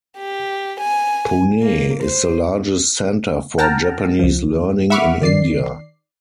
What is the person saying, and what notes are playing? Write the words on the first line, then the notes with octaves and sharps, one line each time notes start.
Pune is the largest centre for Japanese learning in India.
G4
G#5
A#3
C5
F#5 G5 A5 A#5 F6
C#2 F3
E5 F#5 B5 C#6 D6 F6
D#3 D5 C7